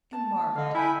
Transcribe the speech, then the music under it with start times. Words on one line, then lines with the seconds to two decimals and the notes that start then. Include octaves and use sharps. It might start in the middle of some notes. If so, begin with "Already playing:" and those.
And Margaret?
0.13 A5
0.55 D3 D#5 F5
0.74 E4 G5 G#5 B5